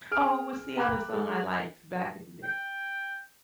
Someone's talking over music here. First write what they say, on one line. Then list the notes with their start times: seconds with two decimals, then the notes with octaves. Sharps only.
oh, what's the other song I liked back in the day?
0.11 G#4 F6 D7
0.77 G5 A#5 B5 D6 F#6
1.09 G#3 A4
2.43 G5